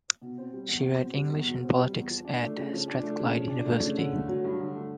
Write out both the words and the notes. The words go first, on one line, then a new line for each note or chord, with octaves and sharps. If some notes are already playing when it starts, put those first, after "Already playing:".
She read English and Politics at Strathclyde University.
B2
C4
G3
E2
B2
C4
G3
E2
B2
C4
G3
E2
F3
D4
A3
C#3
F3
D4
A3
C#3
F3
D4
A3
C#3
D3
A3
F#3
G2
D3
A3